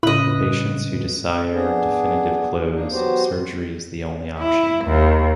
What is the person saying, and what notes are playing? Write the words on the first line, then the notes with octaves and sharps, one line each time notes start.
For patients who desire definitive close, surgery is the only option.
A2 C#3 C#4 E4 B4 D#5
B3 D4 G#4
A#3 D4 D#4
F#3 B3 F#4 G4 C5
E4
D#2